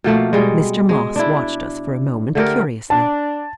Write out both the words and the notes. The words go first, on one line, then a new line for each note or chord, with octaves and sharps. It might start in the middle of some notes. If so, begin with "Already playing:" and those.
Mr. Moss watched us for a moment curiously.
B2 F3 A3 A#3
B2 G3 G#3
G#3
D4 E4
D3 A3 G4 A#4
D4 A5